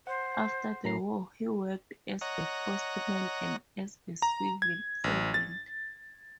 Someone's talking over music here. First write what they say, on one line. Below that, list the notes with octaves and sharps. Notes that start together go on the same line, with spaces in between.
After the war he worked as a postman and as a civil servant.
C5 F#5
A2 A#5 C7
C#5 D#5 F#5 A#5
A#5
G#6
A1
A6